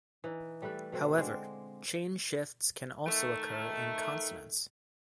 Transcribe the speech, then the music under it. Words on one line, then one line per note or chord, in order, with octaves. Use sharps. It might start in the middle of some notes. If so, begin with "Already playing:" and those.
However, chain shifts can also occur in consonants.
E3 D#4
G3 A3 E4 B4
B2 A3 C4
D3 G#3 C4 D4
D#3 A3